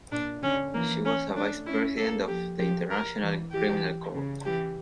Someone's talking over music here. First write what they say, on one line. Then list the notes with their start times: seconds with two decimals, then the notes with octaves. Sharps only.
She was a Vice-President of the International Criminal Court.
0.12 A#2 D4
0.42 D3 C#4
0.74 E3 A#3
1.05 C#4
1.35 A3 D4
1.66 C#4 E4
1.97 A#3 A4
2.28 F3 G4
2.59 F3 G4
2.90 A#4
3.21 E3
3.51 E3 G4
4.13 C#3
4.45 E3 G4